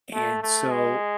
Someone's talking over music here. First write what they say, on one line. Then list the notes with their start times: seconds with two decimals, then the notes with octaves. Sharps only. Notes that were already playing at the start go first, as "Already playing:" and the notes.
And so,
0.14 A3
0.42 A3
0.71 G#3